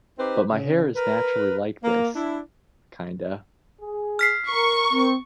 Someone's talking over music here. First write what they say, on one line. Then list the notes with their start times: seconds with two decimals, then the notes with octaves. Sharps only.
But my hair is naturally like this... Kinda.
0.19 C4 D#4 G4 B4 C5
0.51 C#3
0.94 A#4 B4
1.83 A#3
2.15 D4 E4
3.80 G#4
4.19 F6 B6 C7
4.49 A#4 C#6
4.91 C4